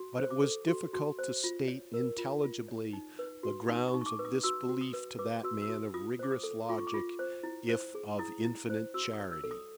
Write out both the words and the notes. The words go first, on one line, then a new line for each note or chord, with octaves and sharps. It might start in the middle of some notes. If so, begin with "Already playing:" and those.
But it was difficult to state intelligibly the grounds of this belief to that man of rigorous logic, if of infinite charity.
Already playing: F#4
C5
D6
A4
F#4
F#4
C5
F4
C#5
A#4
F4
F4
C#5
D#4
B4
F#4
D#4 D#6
C#6
D#4
C#6
D6
B4
D#6
F#4 E6
F#4
D#6
B4
B4 D6
F#4 E6
E6
F#4 D#6
F4 D#6
C5 D6
D#6
A4
F4 D6
C#6
D6
F4
C5
E4
C5
G#4
E4 D#6
E4
C5
F#4 E6
D#6
C#5
E6
A4
D#6